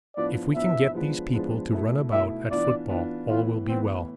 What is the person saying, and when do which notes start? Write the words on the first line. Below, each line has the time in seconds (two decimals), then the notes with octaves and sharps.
If we can get these people to run about at football all will be well.
0.16 A2 F3 B3 D4 D5
0.55 A2 F3 B3 D4 E5
0.94 F3 G#3 B3 D4
1.33 F3 G#3 B3 D4
1.73 B2 A3 E4
2.12 B2 A3 E4 E5
2.51 E3 B3 D4 F4 D5
2.89 E3 B3 D4 F4
3.29 A2 E3 B3 F4
3.68 A2 E3 B3 C4